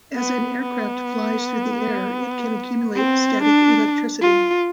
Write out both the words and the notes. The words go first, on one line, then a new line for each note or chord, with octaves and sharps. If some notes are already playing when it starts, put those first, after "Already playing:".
As an aircraft flies through the air, it can accumulate static electricity.
B3
B3
C4
D4
F4